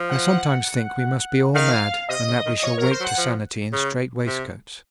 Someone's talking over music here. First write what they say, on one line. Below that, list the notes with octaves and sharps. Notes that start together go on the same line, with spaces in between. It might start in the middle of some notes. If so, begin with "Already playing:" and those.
I sometimes think we must be all mad and that we shall wake to sanity in strait-waistcoats.
Already playing: F3
F#5
F#5
D#3 F5
C3 D#5
C#3
D#3
D#5
F3 C#5
F#3 A#4
C5
F#3
F#5
F3
C#3
C3